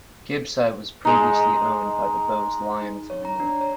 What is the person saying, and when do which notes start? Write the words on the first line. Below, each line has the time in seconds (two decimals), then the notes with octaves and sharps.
Gibside was previously owned by the Bowes-Lyon family.
1.05 G#3 D#4
3.10 C#5
3.25 A#5
3.40 D4
3.61 C#5